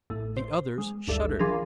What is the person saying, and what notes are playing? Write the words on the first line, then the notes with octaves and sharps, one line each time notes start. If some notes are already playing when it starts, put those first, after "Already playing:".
The others shuddered.
A1 A2
C5
G#3
G#1 D2 G2 A4 E5
E3 F3 D4 G#4 A#4